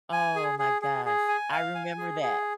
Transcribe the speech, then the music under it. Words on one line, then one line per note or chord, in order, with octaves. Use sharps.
Oh my gosh. I remember that.
G#5
G#4
G#4
G#4
G#4
G#5
F5
G#5
G#4
G#4